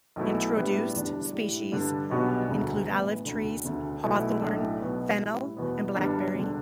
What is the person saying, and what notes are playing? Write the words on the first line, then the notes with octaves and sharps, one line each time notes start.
Introduced species include olive trees, hawthorn, fennel and blackberry.
B1 B2 A3 E4
A2 G3 B3 D4
E1 E2 D3 G3 D4
A2 G3 E4
G2 D3 G3 D4
B1 B2 G3 B3 D4
E1 D2 D3
A1 A2 E3 B3
E1 D2 D3
E1 D2 D3
B1 B2 A3 E4
B1 A2 A3 D4
B1 B2 B3
A2 G3 E4
E2 B2 B3
G1 G2 G3 D4
E1 D3